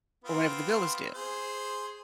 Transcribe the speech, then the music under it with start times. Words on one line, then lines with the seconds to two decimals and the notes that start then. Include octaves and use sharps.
or whenever the bill is due.
0.24 B3 C4 F4
1.14 G#4 C5